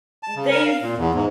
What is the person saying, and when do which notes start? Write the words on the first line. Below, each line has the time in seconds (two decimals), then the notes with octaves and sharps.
mm, they've
0.23 A5
0.35 C#3
0.51 A#4
0.66 F5
0.82 A#2
0.98 E2
1.15 G#2